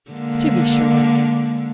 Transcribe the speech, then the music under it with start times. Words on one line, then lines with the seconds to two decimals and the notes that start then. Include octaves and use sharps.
'To be sure!
0.11 D3 G#3 A#3